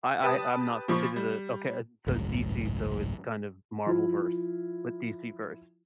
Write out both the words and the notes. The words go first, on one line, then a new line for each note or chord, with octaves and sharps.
I I I'm not is it, uh, okay? So it's DC, so it's kind of Marvel verse but DC verse.
G4 B4 A5 D#6
A#2 F3 B5 C#6
G3
G#1 C#2 F#2 A2
F3 E4 F4